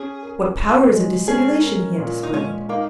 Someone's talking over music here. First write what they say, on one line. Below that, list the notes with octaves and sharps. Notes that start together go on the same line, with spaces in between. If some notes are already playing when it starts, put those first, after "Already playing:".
What powers of dissimulation he had displayed!
Already playing: C#4 G#4
A#4
A#2
G#3
C#4 G#4
A#4
A#2
D#4
G#3 C#4
A#3 D#4